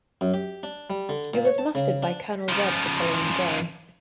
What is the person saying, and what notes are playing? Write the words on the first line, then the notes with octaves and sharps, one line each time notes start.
It was mustered by Colonel Webb the following day.
F#2
G4
D4
G3
D3
A#2
C#5
A5
C#3
D4
C#3 F3